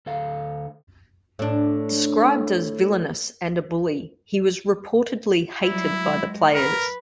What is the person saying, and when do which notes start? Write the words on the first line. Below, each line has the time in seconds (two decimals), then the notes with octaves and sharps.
Described as "villainous" and a "bully", he was reportedly hated by the players.
0.06 D2 A4 F5
1.39 A2 D4
5.63 F#3 G3 E4
6.01 G#3
6.55 A#4 B4